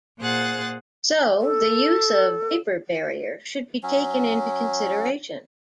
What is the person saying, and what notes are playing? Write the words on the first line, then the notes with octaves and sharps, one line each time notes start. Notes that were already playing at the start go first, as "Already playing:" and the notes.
So, the use of vapor barrier should be taken into consideration.
A#2 G#4 C5 F#5 F#6 A6
A4
F#3 C#4